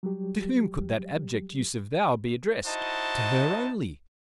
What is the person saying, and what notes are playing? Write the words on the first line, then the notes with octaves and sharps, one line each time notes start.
To whom could that abject use of "thou" be addressed? To her only.
F#3 G3 G4
D#4 E4 F#4 C5 D#5 A5